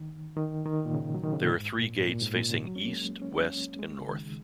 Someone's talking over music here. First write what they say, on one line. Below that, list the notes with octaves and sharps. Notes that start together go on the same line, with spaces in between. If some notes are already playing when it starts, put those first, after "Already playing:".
There are three gates facing east, west, and north.
Already playing: D#3
D#3
D#3
A#2
C#3
F#3
D#3
C#3
A#2
G#2
A#2
A#2
G#2
A#2
C#3
F#3
C#4
A#3
G#3
C#4
C#4
G#3
C#3
D#3